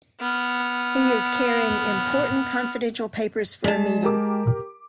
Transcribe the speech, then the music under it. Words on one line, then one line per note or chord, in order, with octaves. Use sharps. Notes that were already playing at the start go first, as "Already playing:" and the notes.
He is carrying important confidential papers for a meeting.
B3 F6
G#3 D5 A5 B6
G4 A#4 D6